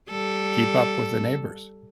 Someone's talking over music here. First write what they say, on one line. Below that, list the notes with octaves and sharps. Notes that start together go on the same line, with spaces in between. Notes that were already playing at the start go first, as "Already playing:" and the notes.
keep up with the neighbors.
G3 A4